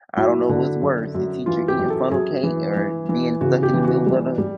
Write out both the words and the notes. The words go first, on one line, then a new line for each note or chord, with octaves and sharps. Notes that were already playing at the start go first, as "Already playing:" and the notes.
I don't know what's worse, the teacher eating funnel cake or being stuck in the middle of the
F#3 E4
D3
F#2
F#2
E3 F4
G4
F#2
A4
F#2 G#4
E3
E3
E3
C#3 F#4
G4
E3
F#4
G3
G3